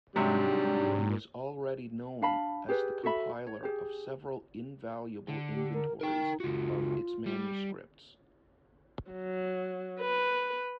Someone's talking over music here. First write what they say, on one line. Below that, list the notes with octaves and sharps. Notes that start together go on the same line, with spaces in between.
He was already known as the compiler of several invaluable inventories of its manuscripts.
G#2 C3 F#3 G3 D4
D4 F5 A5 B5
G4 G#4 B4
F#4 A4 E5 B5
C#5
G4 G#4
D3
G4
A#4
D#4 A#4 G5
C#2 F4 F#4
G3
F#3
B4